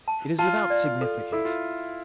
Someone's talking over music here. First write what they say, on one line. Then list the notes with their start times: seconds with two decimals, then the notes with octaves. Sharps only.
It is without significance!
0.08 A5
0.39 F4 A5
0.70 D5
1.01 A4
1.32 E4 A4
1.45 F4